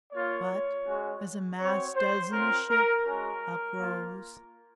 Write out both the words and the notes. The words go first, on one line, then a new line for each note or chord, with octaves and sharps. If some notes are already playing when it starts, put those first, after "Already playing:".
But, as a mast does in a ship, uprose.
A#3 F4 C#5
G#3 C#4 F#4
C4 F#4 C#5
C5
C4 F4 A#4
A#4
G#3 C#4 F#4 A#4
A#3 F4